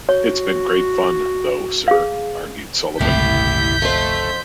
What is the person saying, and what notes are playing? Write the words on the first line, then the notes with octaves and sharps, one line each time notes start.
"It's been great fun, though, sir," argued Sullivan.
F#4 C#5
G#4 F5
G1 C#2 A2 C3 E4 G4 G6 B6
F2 A3 C5